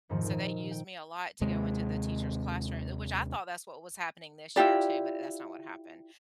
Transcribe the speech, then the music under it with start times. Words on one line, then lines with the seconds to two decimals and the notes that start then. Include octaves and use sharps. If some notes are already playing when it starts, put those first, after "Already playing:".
So they used me a lot to go into the teacher's classroom, uh, which I thought that's what was happening this year too, but that that's not what happened.
0.09 F2 G#2 C3 D#3 F3
0.23 A#2 D#3
0.71 G5
1.41 D#2 C3 G#3
4.56 E4 F4 G4 D5